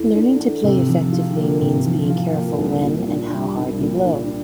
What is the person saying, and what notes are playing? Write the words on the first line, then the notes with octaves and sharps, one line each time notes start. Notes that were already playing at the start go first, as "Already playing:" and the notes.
Learning to play effectively means being careful when and how hard you blow.
Already playing: E2 E3 A3
D4
A3
C3
F3
F4
A#3
C3
F3
F4
A#3
C2
A#2
D4
G3
C2
A#2
D4